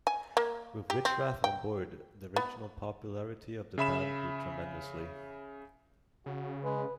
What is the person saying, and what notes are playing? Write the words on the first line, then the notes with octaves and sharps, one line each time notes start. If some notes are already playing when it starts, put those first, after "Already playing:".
With Richrath on board, the regional popularity of the band grew tremendously.
G#5
A#3
G4
C4
G5
B3
C#3 E5 B5 E7
C#3 F#4
G#3 B4